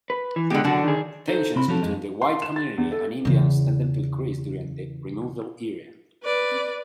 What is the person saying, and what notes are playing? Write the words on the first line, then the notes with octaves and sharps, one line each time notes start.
Tensions between the white community and Indians tended to increase during the Removal era.
B4
E3
B2 D3 G#3 G4
F#2 D3 D4 F#4
D#3 G#4
D#4 A4 C5
C3 C4 B5
F3 C4 C#4 F#4 A4
F2 G#3
C6
E7
A6
E2
A4
E2 C#3
B4 D5